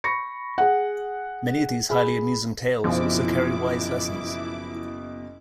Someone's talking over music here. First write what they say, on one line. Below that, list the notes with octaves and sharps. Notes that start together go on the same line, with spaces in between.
Many of these highly amusing tales also carry wise lessons.
B5 C#6 A#6 C#7
G#4 F#5
G#4 B5
F#1 B2 F3 E4 D6